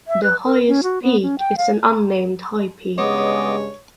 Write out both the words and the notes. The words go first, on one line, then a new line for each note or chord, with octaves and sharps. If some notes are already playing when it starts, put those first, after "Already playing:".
The highest peak is an unnamed high peak.
E5
B4
A#4
C#4
F#4
B3
C#4
G5
F5
G2 C#3 G#3 B3 C#5 D#5 D6